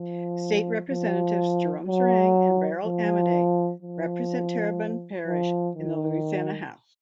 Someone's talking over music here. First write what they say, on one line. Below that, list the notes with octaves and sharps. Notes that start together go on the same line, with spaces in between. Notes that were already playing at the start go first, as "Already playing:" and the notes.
State Representatives Jerome Zeringue and Beryl Amedee represent Terrebonne Parish in the Louisiana House.
Already playing: F3
F3
F#3
F3
F3
F3
D#3